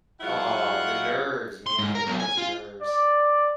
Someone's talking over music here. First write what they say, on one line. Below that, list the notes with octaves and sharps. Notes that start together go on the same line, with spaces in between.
Aw, the nerves, man. All those nerves.
F#3 G#3 E4 F4 F5 F#5
C6
G#2
A#4
B1
G#5
F4
D5